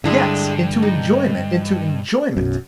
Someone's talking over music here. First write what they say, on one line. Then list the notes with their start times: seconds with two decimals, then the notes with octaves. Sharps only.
Yes, into enjoyment, into enjoyment!
0.04 G2 D3 G#3 D4 E4
0.82 D#4
2.37 B1 F#2